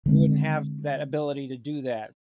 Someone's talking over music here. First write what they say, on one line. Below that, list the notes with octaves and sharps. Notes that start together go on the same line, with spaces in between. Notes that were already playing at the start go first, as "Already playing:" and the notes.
You wouldn't have that ability to do that.
D3 G#3 C4